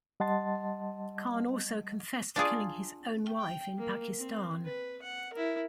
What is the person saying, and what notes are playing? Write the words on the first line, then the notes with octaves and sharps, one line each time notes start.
Khan also confessed to killing his own wife in Pakistan.
G3 D#5 F#5 A5 C6 A6
D4 F4 G#4 D5
G5
A#3
C4
B4
F#5
E4 A#4